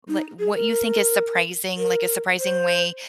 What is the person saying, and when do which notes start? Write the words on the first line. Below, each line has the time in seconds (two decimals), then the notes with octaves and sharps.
li what you think is surprising, like, a surprising way
0.09 D#4
0.39 G#4
0.54 A#4
1.77 A#4
2.39 C5